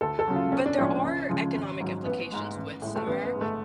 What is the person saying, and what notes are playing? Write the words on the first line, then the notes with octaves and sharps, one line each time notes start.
but there are economic implications with summer.
D2 A4
A4
C#3 F#3
F4
B1 C#4
D4
A2 F3 G#3 C#4
C#2
C#3 F3 G#3
G#1
G#2 F#3
A1 B3
G#2 G#3
A1
A2 G#3
A3
A1 B3
B3
G#2 G#3
A3